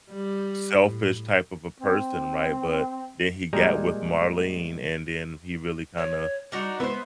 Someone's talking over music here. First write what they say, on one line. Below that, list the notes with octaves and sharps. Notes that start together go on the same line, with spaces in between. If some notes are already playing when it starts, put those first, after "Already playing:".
selfish type of a person, right? But then he got with Marlene, and then he really kinda,
G3
A2
C4
A#2 G3 G#3 G#5 A#5
C#5
G3 D4 D#4 F#4
G#3 B3 C5 E5